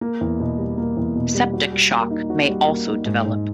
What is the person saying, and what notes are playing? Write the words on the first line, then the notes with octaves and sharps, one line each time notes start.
Septic shock may also develop.
A#3
E2
B2
G3
A#3
E2
B2
G3
F#4
G3
A#3
D#4
F#4
G3
A#3
D#4
G#2
G#2